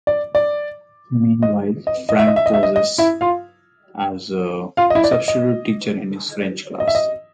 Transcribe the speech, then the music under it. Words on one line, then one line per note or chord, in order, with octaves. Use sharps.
Meanwhile, Frank poses as a substitute teacher in his French class.
D5
D5
D#5
D#5
D#5
E5
D#5
E5
D#5
E5
D#5
D#5
E4 E5
F4 F5
F4 F5
D#5
E4 E5
D5
D#5
D#5
D#5
E5
D#5